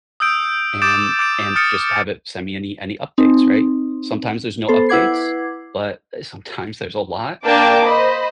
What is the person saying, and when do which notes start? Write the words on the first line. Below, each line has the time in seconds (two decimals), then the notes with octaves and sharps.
and and just have it send me any any updates, right? Sometimes there's no updates, but, eh, sometimes there's a lot.
0.20 D#6 E6 G6 D7
0.82 D6 D#6 G6 A6 D7 E7
1.19 D6 G6 D7
1.56 D#6 F6 A6 C#7 D7
3.18 C4 D#4
4.68 B3 A4 C5
4.89 E4 B4 F#5 D6 G#6 C7
7.44 A#3 D4 G5 A5 D6
7.85 C5 D#5 B5